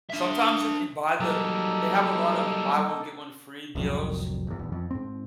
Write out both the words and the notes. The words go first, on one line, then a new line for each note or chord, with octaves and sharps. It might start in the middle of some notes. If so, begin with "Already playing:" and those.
Sometimes if you buy the they have a lot of buy-one-get-one-free deals
D4 E5
F#3 G3 A#3 D#4 A4
D1 C2 F2 F#3
G1 E2
D#1 E2
F2
G#2 C4